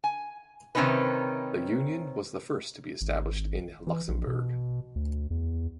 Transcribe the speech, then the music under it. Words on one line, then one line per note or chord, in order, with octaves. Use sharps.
The union was the first to be established in Luxembourg.
G#5
C3 D#3 C4 C#4 D#4 B4
G#1
E3
A#1
B2
D2
E2